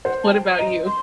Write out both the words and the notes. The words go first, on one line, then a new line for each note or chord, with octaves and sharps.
What about you?
C5 F#5
A5
G5
D#5 A#5
C6